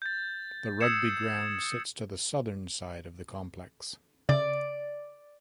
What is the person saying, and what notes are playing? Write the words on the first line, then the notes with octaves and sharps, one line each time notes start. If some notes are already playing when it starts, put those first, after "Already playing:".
The rugby ground sits to the Southern side of the complex.
G6 A6
D#6 E6 G#6 C7 C#7 E7
C#3 D5